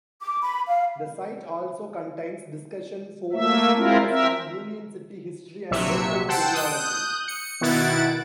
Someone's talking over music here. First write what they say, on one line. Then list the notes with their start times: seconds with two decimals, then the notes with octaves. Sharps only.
The site also contains discussion forums focused on Union City history and local genealogy.
0.21 D6
0.43 B5
0.68 F5
3.33 A3 A#3 E5
3.76 G#3 C4 E4 F4 A#4
4.08 C4 A#4 E5
5.71 A#1 C3 F#3 E5 C#7
6.28 C5 F#5 G5 A5 E6
6.54 D#6 F#6 G6
7.28 C#7
7.61 B2 D#3 E4 F#5 A6 D7